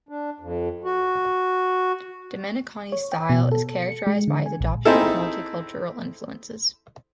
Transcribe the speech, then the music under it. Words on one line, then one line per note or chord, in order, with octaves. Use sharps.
Domeniconi's style is characterized by his adoption of multicultural influences.
D4
F2
F#4
C#5
G5
B2
A4
C#7
G#3
D3
G#5
A#1
C4 D#4 E4 G#4 A4